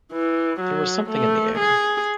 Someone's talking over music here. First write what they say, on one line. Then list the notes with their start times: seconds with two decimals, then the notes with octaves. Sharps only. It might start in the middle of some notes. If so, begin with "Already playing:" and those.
There was something in the air.
0.12 E3
0.60 F#3
1.10 A3
1.58 G#4